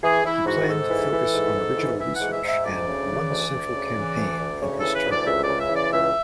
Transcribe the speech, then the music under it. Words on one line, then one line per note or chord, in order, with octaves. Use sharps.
He planned to focus on original research and "one central campaign" in his term.
E3 G#4
E3 E4
G#2 F#4
G#2 A4
E3
E3
G#2
G#2
E3
E3 E5
G#2 F#5
E5
G#2 E5
D2 D5
C#3
E3
D2
D2
C#3
E3
D2
D2
C#3 C#5
E3 A4
B4
D2
D5
C#2 E5
C#3 D5
E5
E3
D5
C#2 E5